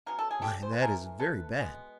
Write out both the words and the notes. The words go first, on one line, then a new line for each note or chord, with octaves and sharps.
Why, that is very bad!
C#3 F#3 B3 A#4
A4
G#4
G4 A4
C5
B4
E3 A3 G#4 A#4
A4 B4
B2 G#3 B3